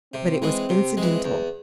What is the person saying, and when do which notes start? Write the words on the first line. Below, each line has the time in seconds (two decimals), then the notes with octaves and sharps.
But it was incidental.
0.14 C3 C4
0.42 E3 G#3
0.69 C3
0.97 E3 G#3
1.24 E2